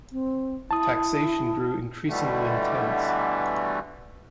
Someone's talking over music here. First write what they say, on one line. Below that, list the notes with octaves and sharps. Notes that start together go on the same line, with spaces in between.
Taxation grew increasingly intense.
C4
E4 A5 D#6
B2 D3 E3 G3 A3